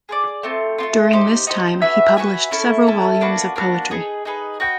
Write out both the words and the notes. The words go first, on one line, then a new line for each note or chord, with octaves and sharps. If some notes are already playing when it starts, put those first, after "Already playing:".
During this time, he published several volumes of poetry.
G#4 B4 D5
A3 C4 F4
A3 C4 F4
D#4 G4 C5
D#4 G4 C5
F#4 B4 E5 G#5
F#4 B4 E5 G#5
C#4 E4 A4
C#4 E4 A4
A#3 D4 F#4 B4
A#3 D4 F#4 B4
D#4 G#4 B4
D#4 G#4 B4
F#4 B4 D#5 G5